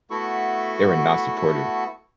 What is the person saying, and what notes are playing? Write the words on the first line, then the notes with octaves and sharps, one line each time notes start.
they were not supportive.
A3 B3 E4 F#4 A4 C#6